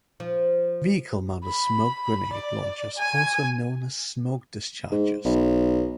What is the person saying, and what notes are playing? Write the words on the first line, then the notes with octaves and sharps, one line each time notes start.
Vehicle-mounted smoke grenade launchers are also known as "smoke dischargers".
F3
B5
D5
G#5
G#2
B1